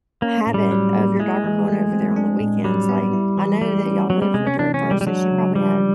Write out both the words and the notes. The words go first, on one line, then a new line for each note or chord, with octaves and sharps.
habit of your daughter going over there on the weekends? Like, I know that y'all lived with her at first, so she probably had
A#3 C#4
A2
G3
F#3
A#3
G#3 E4
E3
A3
C4
D4
A2
F#3 G3
B3
E4
E3
G3 A3
C#4
F#3 B3
G3
C3 G#3
C#4
E3 D4
C#4
G#3
G3
G3
F#3 D4
C#3
F3 G3